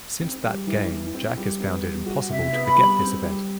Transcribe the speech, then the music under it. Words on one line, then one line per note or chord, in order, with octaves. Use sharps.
Since that game, Jack has found it impossible to forget this event.
C4
G3
E3
E3
C4
G3
B3
G3
F#4
C3 E5
B3
B5
G3
C4
G3